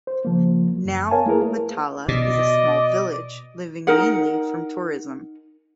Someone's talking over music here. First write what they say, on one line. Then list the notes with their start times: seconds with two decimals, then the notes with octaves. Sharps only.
Now Matala is a small village living mainly from tourism.
0.07 C5
0.25 C#3 F3 A#3
0.85 F#2
1.11 A#4 C#5 F5 G#5 A5
1.26 A3 A#3 E4 G#4 A#4 B4
2.08 B2 D5 D#5
3.87 D#4 A#4 F#5